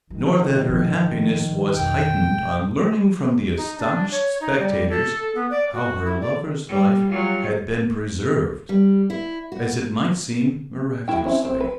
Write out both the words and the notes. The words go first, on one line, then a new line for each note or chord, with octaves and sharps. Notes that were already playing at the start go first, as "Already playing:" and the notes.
Nor, that her happiness was heightened, on learning from the astonished spectators, how her lover's life had been preserved--as it might seem miraculously.
D#3 F#3
G#2 F3
B1 F2 G5
D#4
D4
C#5
D#4
G3
A4
B3
D5
F#4
E4
D5
G3
F#3 G3 F4
G3
E4
F#4
A#3 E4 G5
C4 C#4 E4
C4 E4
B4